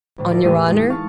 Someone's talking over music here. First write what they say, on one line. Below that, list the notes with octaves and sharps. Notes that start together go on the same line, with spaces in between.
"On your honor?"
D2 A2
E4 A4 A#4 D5
E2 A2 G#3 A3 G4 D#6
G#3 D#4 F5
F5 A5 C#6